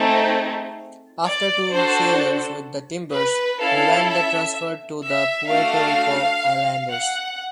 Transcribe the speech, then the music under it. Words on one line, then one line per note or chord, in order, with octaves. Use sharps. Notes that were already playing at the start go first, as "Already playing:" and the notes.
After two seasons with the Timbers, Miranda transferred to the Puerto Rico Islanders.
Already playing: A3 C4 D#4 G#4
D5
D4 F#4 A4 C5
B4
C#4 E4 A4 F5
E5
E5
A3 D4 F#4 F5
F#5